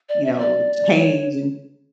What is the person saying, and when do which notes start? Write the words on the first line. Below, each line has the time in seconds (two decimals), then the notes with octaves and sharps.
you know, change, and
0.09 D5
0.24 E5
0.34 E5
0.39 D5
0.98 C#5